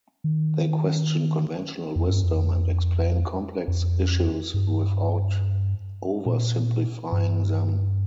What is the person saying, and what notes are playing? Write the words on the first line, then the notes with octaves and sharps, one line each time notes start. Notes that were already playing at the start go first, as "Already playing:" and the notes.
They question conventional wisdom and explain complex issues without oversimplifying them.
D#3
F2
G2
F2
F2
G2
A#2
G2